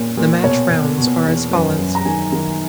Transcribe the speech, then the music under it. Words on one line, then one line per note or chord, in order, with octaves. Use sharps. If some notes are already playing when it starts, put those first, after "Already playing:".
The match rounds are as follows.
Already playing: A#2 C#4
A#2
B2 C#5
B2
B2
E2
F#2 B4
F#2
A#5
D#3 G#5
D#3